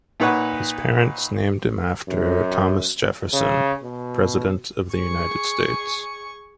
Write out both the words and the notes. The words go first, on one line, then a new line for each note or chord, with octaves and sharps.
His parents named him after Thomas Jefferson, President of the United States.
A#2 D#4 B4 C#5 F#5
F#2
C#3
B2
G#4 C#6